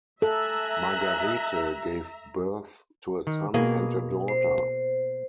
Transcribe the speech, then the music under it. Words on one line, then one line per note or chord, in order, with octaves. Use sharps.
Margarete gave birth to a son and a daughter.
A4 E5 G#5 A#5 F#6
D#3
B2 A#3 G#4
C5